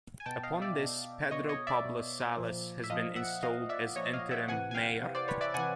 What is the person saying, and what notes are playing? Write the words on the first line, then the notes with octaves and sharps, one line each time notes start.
Upon this, Pedro Pablo Salas has been installed as interim mayor.
G#5
B2 G5 A5
D#5 F5
D5 E5
B2
B2 C#5 D#5
C#5 D#5
D5 E5
B2
A#2 F3
E5
A#2 F3 D#5 F5
E5 F#5
A#2 F3 D#5 F5
D5 E5
A#2 F3 C#5 D#5
D#5 F5
E5 F#5
C3 E3 F#5 G#5
G#5
F5 G5
C3 E3
C5 D5
B4 C#5
D5 E5
C3 E3 F#5 G#5